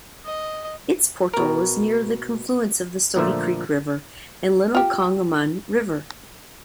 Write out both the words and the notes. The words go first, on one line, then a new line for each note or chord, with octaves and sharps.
Its portal was near the confluence of the Stonycreek River and Little Conemaugh River.
D#5
B2 A#4
A#2 D3 F3 A3 E5
F4 G4